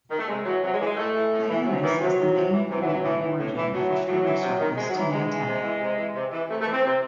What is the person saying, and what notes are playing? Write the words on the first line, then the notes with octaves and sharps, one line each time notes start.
Hyannis is the main point of origin for ferry service to Nantucket.
D#3
A3
C3 G#3
E3 F#3
C3 F#3
G#3
E3
G#3
A2 A3
E3
A2
E3
C3 F#3
D#3 E3
C3 F#3
D#3
C3
E3
C3 E3
F#3
E3
F#3
A2 E3
E3
A2
E3
A2 F#3
E3
A2 F#3
E3
C3
D#3
C3 G#3
F#3
D#3 E3
C3 G#3
E3
C3
E3
C3
E3
C3
E3
C3 A3
A3
E3
C4
C3 C4